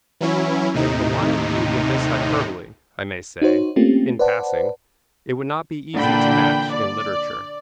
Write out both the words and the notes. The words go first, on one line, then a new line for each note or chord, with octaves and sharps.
The wild beauty of this hyperbole, I may say, in passing, it would not be easy to match in literature.
E3 F#3 C#4 E4
D#2 A2 C3 D#4
D#4 F#4 C5 C#5
A3 A#3 C4 C#4 F4 G4
B4 C5 D5 F#5 A5
A#2 D3 E3 D4 G5 B5
D5